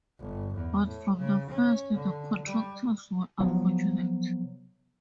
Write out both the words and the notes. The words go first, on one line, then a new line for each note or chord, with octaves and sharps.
But from the first the contractors were unfortunate.
G1
E2
A2
C#3
C#4
D3
G3
C3 F3 F#3 B3